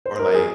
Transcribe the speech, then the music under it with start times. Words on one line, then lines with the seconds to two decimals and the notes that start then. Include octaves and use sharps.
or, like,
0.06 C5
0.19 A#4
0.34 G#4